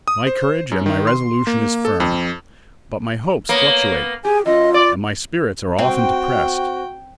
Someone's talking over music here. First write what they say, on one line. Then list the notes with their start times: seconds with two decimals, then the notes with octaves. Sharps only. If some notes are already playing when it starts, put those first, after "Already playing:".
My courage and my resolution is firm; but my hopes fluctuate, and my spirits are often depressed.
0.08 D#6
0.27 C5
0.71 F#2
0.86 D#3
1.07 C6
1.47 A#3
1.85 A4
2.00 F2
3.49 A#3 B3 C#5
4.25 G4 G#4 G#5
4.46 F#2 F4 D#5
4.74 D5 D6
5.79 C4 F#4 G5